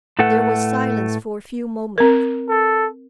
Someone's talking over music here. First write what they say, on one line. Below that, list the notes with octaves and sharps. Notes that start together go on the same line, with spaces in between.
There was silence for a few moments.
A2 A3 A4 B4 F#5
C4 A#4
A4